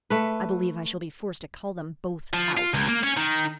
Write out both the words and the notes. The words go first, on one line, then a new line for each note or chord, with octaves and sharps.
I believe I shall be forced to call them both out.
A3 B4
F3
F4
C#2
A#3
C#4
D#3